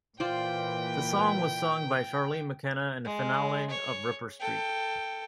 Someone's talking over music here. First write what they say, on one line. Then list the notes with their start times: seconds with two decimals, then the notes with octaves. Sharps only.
The song was sung by Charlene McKenna in the finale of "Ripper Street".
0.20 A#2 E3 F4 B4 C5 D5 G5
3.05 G#3
3.70 C#5
4.40 A4 G5